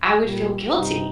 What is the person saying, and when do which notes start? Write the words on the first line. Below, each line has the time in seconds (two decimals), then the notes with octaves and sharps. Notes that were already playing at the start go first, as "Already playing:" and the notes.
I would feel guilty
0.24 A#2 G3
0.73 G2 C3 G3 D#4